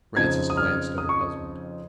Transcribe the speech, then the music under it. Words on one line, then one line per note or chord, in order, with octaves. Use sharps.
Francis glanced at her husband.
F2 C#3 F3 C4 D#4 G#6
D#6
F6
D#6
C#6
D#6